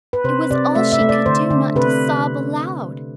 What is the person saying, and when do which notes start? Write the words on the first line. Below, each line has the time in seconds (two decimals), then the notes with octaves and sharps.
It was all she could do not to sob aloud.
0.13 B4
0.24 C3 C5
0.51 C3 D5
0.75 A3 E5
0.92 E5
1.00 A3
1.09 D5
1.26 D3 C5
1.50 D3
1.76 C3 B4